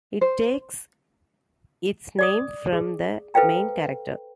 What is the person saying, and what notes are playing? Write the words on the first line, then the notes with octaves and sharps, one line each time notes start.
It takes its name from the main character.
C5
D5 D6 D#6
G#4
A4 B4 C5 F5 G5 A#5